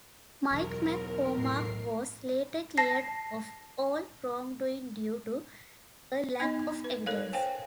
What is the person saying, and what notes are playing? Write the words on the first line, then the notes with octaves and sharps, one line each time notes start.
Mike McCormack was later cleared of all wrongdoing due to a lack of evidence.
B1 E2 A#4
A2 A#4 C7
A5 A#6 C7
B3 D#4 D#5
B4
A4 A#4 C#5 F5
C5 C#5 F5 G5 G#5